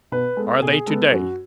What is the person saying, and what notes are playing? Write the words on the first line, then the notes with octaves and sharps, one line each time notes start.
Are they to-day?
B2 B4
G#3 B3 A4
B2 G#4
G#3 B3 A4
F#2 F#4